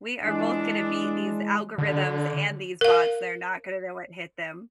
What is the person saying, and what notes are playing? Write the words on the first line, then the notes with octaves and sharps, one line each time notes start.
We are both gonna beat these algorithms and these bots. They're not gonna know what hit them.
E3 G#3 D4
D3
A#4 F5